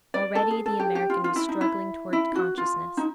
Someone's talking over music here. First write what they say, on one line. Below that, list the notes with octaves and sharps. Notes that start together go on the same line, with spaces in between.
Already the American was struggling toward consciousness.
D5
A4
G#4
A4
G4
G4
F4
F4
E4
D#4
E4
E4
F#4
F4
D#4